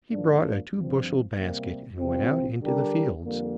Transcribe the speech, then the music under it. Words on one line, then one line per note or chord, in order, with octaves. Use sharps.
He brought a two-bushel basket and went out into the fields.
G#2 F3 A#3 D4
G#1 G2 F3 C4
C3 G3 A#3
C2 C3 F3 C4
D3 G3 D4 G4 A#4
F2 D3 G3 A#3